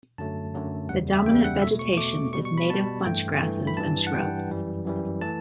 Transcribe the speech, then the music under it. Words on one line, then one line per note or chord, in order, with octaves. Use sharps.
The dominant vegetation is native bunchgrasses and shrubs.
F#2 D3 F#3 A3 A5
F#2 D3 F#3 A3
E2 C#3 G3 F#5
E5
E2 C#3 G3 G5
F#5
B2 A3 E5
C#6
B2 A3 D6
B2 G3 C#6
C#6
B5
B2 G3 A5
G2 E3 A3 G5
G2 E3 A3
B5
G2 E3 G3 A5
F#5
G2 E3 G3 G5
F#2 E3 G3
F#2 E3 G3
E3 A3 A5